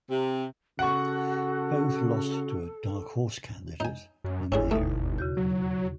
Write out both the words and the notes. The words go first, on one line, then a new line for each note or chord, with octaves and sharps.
Both lost to a "dark horse candidate": a mare.
C3
C#3 F#4 A4 F#5 C#6
D#4 G#5 G6
F#2
G1 E2 C#4 D4 E4 G#4
D#2 B2 A3 D#4
C#3 F#4 G6
F#3